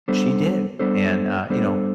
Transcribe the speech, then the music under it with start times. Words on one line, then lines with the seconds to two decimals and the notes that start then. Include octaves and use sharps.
she did, and, uh, you know,
0.08 G3 B3 D4 A4 C5
0.79 G3 B3 D4 A4 C5
1.50 G3 B3 D4 A4 C5